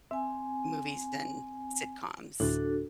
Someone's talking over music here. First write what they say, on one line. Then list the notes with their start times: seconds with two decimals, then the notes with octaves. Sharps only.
movies and sitcoms.
0.11 C4 E5 G#5
2.40 D2 A2 D4 F#4 A4